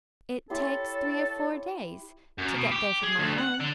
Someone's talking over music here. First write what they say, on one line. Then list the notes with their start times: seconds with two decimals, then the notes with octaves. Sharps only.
"It takes three or four days to get there from my home."
0.50 E4 G4 A4 C#5 C6
2.38 F#2
2.54 B2
2.72 G4
3.03 G#4
3.19 D2
3.38 F#5
3.60 D3